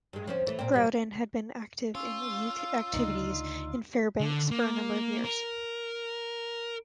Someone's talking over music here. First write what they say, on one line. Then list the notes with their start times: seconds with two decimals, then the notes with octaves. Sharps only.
Growden had been active in youth activities in Fairbanks for a number of years.
0.13 G2 G#3
0.27 F3 C4 C#4
0.47 E3 A3
0.59 A#2 C4
0.72 F#2 B2 G3
1.95 C#4 F4 E6
2.94 D2 C#3 D4 D#4 D5
4.20 D3
4.51 A#3
5.24 A#4